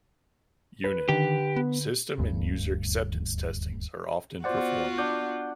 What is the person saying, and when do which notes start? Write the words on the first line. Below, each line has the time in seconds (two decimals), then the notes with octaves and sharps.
Unit, system and user acceptance testings are often performed.
0.84 B4
1.09 D3 D#3 G4
1.56 B3
2.18 D#1 D2 G2
4.44 B3 F4 F#4 C5 D5 F#5
4.98 D4 F#5 G6